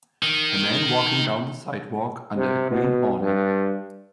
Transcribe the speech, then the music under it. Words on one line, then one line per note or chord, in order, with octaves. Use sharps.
A man walking down the sidewalk under a green awning.
D#3
C3
B2
G2